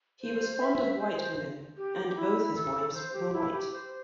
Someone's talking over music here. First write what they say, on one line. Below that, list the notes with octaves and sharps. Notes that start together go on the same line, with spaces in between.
He was fond of white women, and both his wives were white.
C5
E5
C5
G4
E4
A4
A4
C5
G4
E4
G4
C5